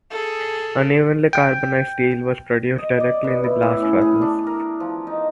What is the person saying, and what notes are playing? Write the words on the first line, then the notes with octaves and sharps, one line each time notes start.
Unevenly carbonized steel was produced directly in the blast furnace.
G#4 A4
G5
D#5
D5
B2
E4
A2
C#4
G#4
D4
A#4
F3
D#4